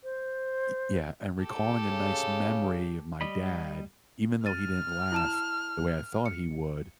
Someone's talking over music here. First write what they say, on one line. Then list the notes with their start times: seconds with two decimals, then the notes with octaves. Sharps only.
Ye yeah, and recalling a nice memory of my dad, even though he didn't laugh the way I thought he would,
0.04 C5
1.43 G4 A4
1.91 C#3
3.21 G3 D#5 B5
4.46 F6 A6 D#7
5.12 E4 A5 E7
6.26 C#7